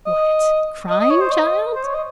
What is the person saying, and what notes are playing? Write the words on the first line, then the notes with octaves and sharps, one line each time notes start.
What! crying, child?
D#5
D#5
D#5
C#5
C5
D#5
C5
C#5
D#5